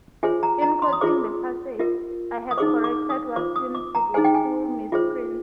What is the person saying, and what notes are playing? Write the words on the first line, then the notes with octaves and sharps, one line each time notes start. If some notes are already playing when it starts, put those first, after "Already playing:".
In quoting the passage, I have corrected what seem to be two misprints.
F4 G#4 C5 G#5
A#5
A#5
C6
D#6
F4 G#4 C5 D6
F4 A#4
D#6
D#4 G#4 C5 D6
D6
D#6
F4 C5 D6
D#6
D6
A#5
D#4 G#4 C5 G#5
G5
G#5
F4 G#4 C5